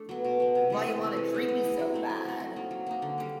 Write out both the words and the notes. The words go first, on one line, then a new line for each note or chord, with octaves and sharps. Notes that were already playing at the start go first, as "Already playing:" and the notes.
Why You Wanna Treat Me So Bad?
Already playing: A3 D4
F#3 B3
B2
F#3 B3
C3
E3 A3 C4
C3
E3 A3 C4
G#3
B3 E4 G#4
G#3
B3 E4 G#4
F#3
A3 C4
F#3
A3 C4
F#3
A#3 D#4
F#3
A#3 D#4
D3
G3 A#3